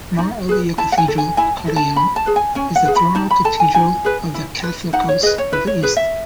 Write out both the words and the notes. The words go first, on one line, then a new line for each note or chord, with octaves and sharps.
Mar Elia Cathedral, Kottayam is the Thronal Cathedral of the Catholicos of the East.
D#4
G#4 B4
E4 A5
F#5
G#5
A4
G#5
E4 G#5
A5
A4
A5
C#4 B5
A5
G#4 B4
G#5
C#4 G#5
F#5
G#4 B4
B5
D#4 A5
B5
A4 A5
G#5
D#4 G#5
G#4 B4
E4
B4
D#4 F#5
C#5
G#4 B4 D#5
C#5
E4 B4
C#5
G#4 B4
E5